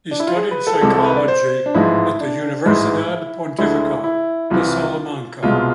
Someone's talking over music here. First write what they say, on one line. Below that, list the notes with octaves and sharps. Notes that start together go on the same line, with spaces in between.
He studied psychology at the Universidad Pontificia de Salamanca.
D4
E4
F4
G#4
B4
A4
G#4
C2 C3 G#3 A4
A4
B4
D5
C5
D4
A1 G#2 F3 G#3 E4
D4
A1 G#2 E3 G#3 E4
D2 D3 G#3 E4
E4
C2 C3 E3 F4
C2 B2 G#3 F4